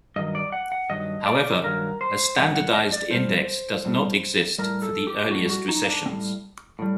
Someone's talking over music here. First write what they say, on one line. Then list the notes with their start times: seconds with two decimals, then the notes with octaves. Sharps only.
However, a standardized index does not exist for the earliest recessions.
0.16 G2 D#3 F#3 D#5
0.35 D5
0.52 F#5
0.72 F#5
0.90 G2 D#3 F#3 D#5
1.26 D5
1.64 G2 D#3 F#3 A#4
2.01 C5
2.36 G2 D#3 F#3 F#5
2.55 F#5
2.74 D#5
2.92 D5
3.11 A2 G3 C5
3.85 A2 G3
4.58 A2 G3 A#4
4.82 A4
5.07 G4
5.31 A2 G3 F#4
5.50 F#4
5.68 D#4
5.87 D4
6.06 A2 C4
6.10 G3
6.79 A2 G3